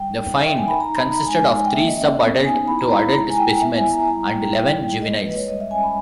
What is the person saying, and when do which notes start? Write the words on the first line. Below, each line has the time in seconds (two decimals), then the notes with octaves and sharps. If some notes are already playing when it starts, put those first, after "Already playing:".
The find consisted of three sub-adult to adult specimens and eleven juveniles.
Already playing: G3 G5
0.10 D#4
0.33 D#4 E5
0.44 G5
0.57 D#4 G#5
0.68 B5
0.79 D#4 A#5
0.96 B5
1.03 D#4
1.11 A#5
1.26 G#3 G#5
1.50 G#3
1.65 G5
1.73 A#3 E5
1.87 D#5
1.97 C#4 E5
2.20 B3
2.44 D#4 G#5
2.67 E4 B5
2.79 A#5
2.90 E4 A#5
3.02 B5
3.14 G#3 A#5
3.30 G#5
3.37 E4 G5
3.61 B3 E5
3.77 G#5
3.84 E4
3.92 A#5
4.08 G3 A#5
4.30 G3 G5
4.55 E4 G5
4.78 A#3
5.01 G#3 D#5
5.25 G#3 B4
5.36 C#5
5.48 G3 D#5
5.60 E5
5.71 C#4 G#5
5.83 B5